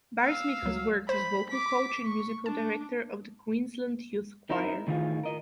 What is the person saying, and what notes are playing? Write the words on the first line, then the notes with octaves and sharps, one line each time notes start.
Barry-Smith has worked as vocal coach and musical director of the Queensland Youth Choir.
F5 E6
C#2 F#3
C5 B5
D6 B6
C#6
D4 A5
C4 D#4 E4 A#4
A2 D#3 E3 D#4 F4 G#4
A#4 D#5